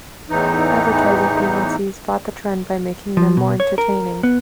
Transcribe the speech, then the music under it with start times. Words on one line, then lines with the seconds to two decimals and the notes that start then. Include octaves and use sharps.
Advertising agencies fought the trend by making them more entertaining.
0.30 E2 A2 E3 D#4
3.17 F3
3.37 B2
3.60 C#5
3.78 A#4
4.23 B3